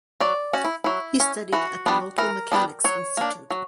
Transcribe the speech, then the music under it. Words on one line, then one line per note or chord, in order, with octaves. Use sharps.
He studied at the local Mechanics Institute.
F#3 D5
C#4 F#4
E4
F#3 E4
C#4
E3 F#4
G3 B3 D4
E3 A#4
G3 B3 D4
F#3 C#5
A#3 D4
F#3